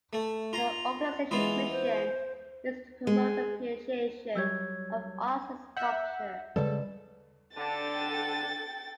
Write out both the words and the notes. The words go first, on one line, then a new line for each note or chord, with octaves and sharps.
The organization's mission is to promote the appreciation of arts and sculpture.
A3
F4 A#5
E3 G#3 B3 F4
C5
G#3
F#3 G3 C#5 E6 G6 G#6
E5 F#5 G6
C#3 G3 G#3 A4 B4 D5
D3 D4 A4 G5 A6